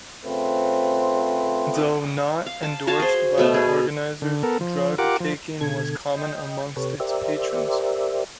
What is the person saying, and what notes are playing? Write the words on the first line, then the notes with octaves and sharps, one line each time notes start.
Though not endorsed by the organisers drug taking was common amongst its patrons.
C#3 A3 C4 F4 B4 C5
F5
A5
F#4 C#5 F5 A5
G#4 C5
B2 A3 B3
G#4
D3
B3 A4 A#4
F3
F4 G4 A#4 F#5 D6
F3
B2 D3 A4 G#6
D#5 G5
C3 G4 A4 B4 C#5
G4 A#4 C5 D5 E5